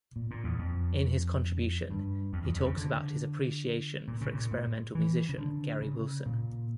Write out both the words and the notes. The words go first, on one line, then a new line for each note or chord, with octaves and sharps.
In his contribution, he talks about his appreciation for experimental musician Gary Wilson.
A#2
A#2
E2
F2
G2
F2
E2
F2
C#3
D3
A#2
C#3
A#2
A2
E3
C#3
D3
C#3
A#2